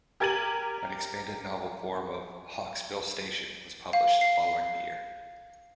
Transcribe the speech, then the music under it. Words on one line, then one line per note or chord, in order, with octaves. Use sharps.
An expanded novel form of "Hawksbill Station" was published the following year.
G4 A#4 G#6 A6 D#7 F#7
F5
C7